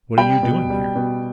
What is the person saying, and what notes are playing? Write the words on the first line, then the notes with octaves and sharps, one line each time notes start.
What are you doing here?'
G3 G5
B2
G3
B2